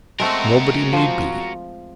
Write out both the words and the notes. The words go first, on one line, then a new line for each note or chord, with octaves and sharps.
'Nobody need be.
G#3 A3 C4 F#4 A#4
F3 C5